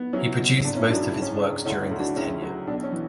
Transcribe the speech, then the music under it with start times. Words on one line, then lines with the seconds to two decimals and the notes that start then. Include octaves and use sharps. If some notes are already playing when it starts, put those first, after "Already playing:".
He produced most of his works during this tenure.
Already playing: B3
0.13 F#3 C#4 E4
0.39 B2
0.64 G#1 D4
0.76 C#4 E4
0.89 F#2 D4 F#4
1.01 E4
1.12 C#2 D4
1.22 C#4
1.32 D4
1.40 C#2
1.65 D2 C#4 E4
1.82 C#4 E4
1.91 D2
2.00 D4 F#4
2.16 C#2 C#4 E4
2.42 F#3
2.67 B1 D4
2.83 C#4
2.92 E3